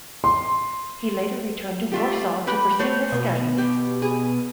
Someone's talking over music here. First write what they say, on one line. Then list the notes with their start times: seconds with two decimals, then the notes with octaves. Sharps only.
He later returned to Warsaw to pursue his studies.
0.24 C6
1.92 A3 F4 G4
2.47 G4 B4
2.79 A3 C5 C#5
3.12 B2
3.58 G4
4.02 G#4